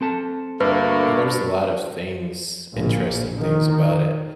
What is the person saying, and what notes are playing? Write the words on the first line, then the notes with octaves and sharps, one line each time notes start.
well, there's a lot of things, interesting things about it.
C4 A4 A5
D2 G2 A3 A#3 B4
A#1
D#3